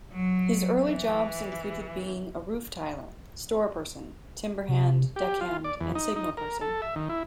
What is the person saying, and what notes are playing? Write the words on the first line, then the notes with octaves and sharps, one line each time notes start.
His early jobs included being a roof tiler, storeperson, timberhand, deckhand, and signalperson.
F#3
E3
C3
G4
F4
D5
E2
D#4
D#4
A#4
A4
E5
D#3
E4